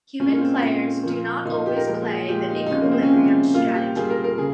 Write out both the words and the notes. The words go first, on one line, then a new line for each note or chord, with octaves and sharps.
Human players do not always play the equilibrium strategy.
A#2 G#3 C#4
A#3
C4
A#2 G#3
A#2 F3 A#3
A#2 F3 A#3 D#4
G4
A#4
A#2 F3 G#3 A#4
G#4
A#2 F3 G#3 G4
D#4
D#4
C3 F3 G#3 C#4
A#3
C4
C#4
C3 F3 G#3
A#2 G3 A#3 F4
G4
A#2 G3 A#3 G#4
A#4
A#4
C#3 G#4